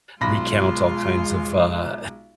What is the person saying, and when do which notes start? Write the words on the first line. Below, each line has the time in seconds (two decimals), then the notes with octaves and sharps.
recount all kinds of, uh,
0.21 B1 G#3 F4 B5 C6 A#6